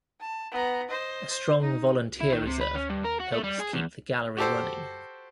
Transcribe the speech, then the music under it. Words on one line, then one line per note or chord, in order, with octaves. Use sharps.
A strong volunteer reserve helps keep the Gallery running.
A5
B3 A#5
C5 D#5
C5
D#4
E4
D#3
C3
B4
C#4
G2
A#4
F#4
A3
G3
G#4
E2
F#4 G4 A4 C5